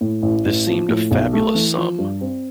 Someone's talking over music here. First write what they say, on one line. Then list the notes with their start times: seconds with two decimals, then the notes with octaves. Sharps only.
This seemed a fabulous sum.
0.01 A2
0.22 A1
0.45 A1
0.67 F3
0.89 A2
1.11 B1
1.33 A3
1.55 E3
1.77 F3
1.98 G2
2.21 C4